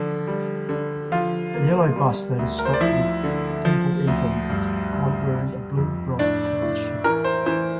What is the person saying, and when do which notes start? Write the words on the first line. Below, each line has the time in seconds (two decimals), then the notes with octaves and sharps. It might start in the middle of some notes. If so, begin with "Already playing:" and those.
A yellow bus that is stopped with people entering it one wearing a blue bright colored shirt.
Already playing: D3 F3
0.27 G3
0.69 D3
1.12 F3 F4 F5
1.54 A#3
1.96 G3
2.39 D2
2.59 A#4
2.65 C5
2.73 D5
2.80 F3 E4 E5
3.24 D3
3.65 F3
4.08 D2
4.50 G2
4.92 G2
5.34 G3
5.77 F2
6.19 A2 D4 D5
6.62 A2
7.04 E3 A#4
7.24 C5
7.46 E3 C5